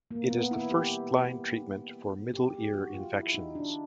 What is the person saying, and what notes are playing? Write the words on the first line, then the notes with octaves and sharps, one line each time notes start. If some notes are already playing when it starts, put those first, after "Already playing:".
It is the first line treatment for middle ear infections.
A#3
B3
E4
G4
G4
G4
F#4
F4
E4
D#4
D4